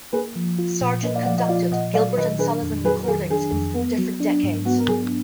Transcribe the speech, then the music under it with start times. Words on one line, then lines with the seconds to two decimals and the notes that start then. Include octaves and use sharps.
Sargent conducted Gilbert and Sullivan recordings in four different decades.
0.13 A#3 G#4 B4
0.36 F3
0.59 F4
0.81 A#2
1.03 A#3 B4 D#5
1.15 D5 F5
1.22 F#5
1.26 F3 D5 F5
1.37 D#5 F#5
1.48 F4 D5 F5
1.72 A#2 D#5 F#5
1.94 F#3 D5 F5
2.17 D#3 B4 D#5
2.39 D4 G#4 B4
2.62 F2
2.84 F#3 G#4 B4
3.03 A#4
3.07 D#3 G#4
3.30 D4 G#4
3.52 F2
3.75 B3
3.98 F#3
4.20 D4
4.43 G#2
4.65 B3 F#4
4.78 A#4
4.88 F#3 G#4